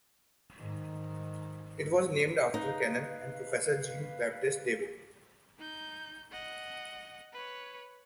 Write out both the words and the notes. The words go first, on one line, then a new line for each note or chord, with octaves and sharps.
It was named after canon and professor Jean-Baptist David.
G#2 D#3
D#4 B4 F5
D#4 G6
D#5 F#5
B4 C#5